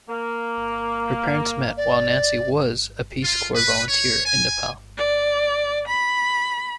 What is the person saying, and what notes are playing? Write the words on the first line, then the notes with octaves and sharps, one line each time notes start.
Her parents met while Nancy was a Peace Corps Volunteer in Nepal.
A#3
D5
F4
B4
C#5
G#5
D5
B5